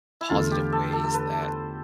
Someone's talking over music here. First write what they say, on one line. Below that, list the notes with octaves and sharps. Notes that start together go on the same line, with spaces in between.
positive ways that,
E4
E2 D3 A3 F4
G4
A4
A4
A4
B4
C5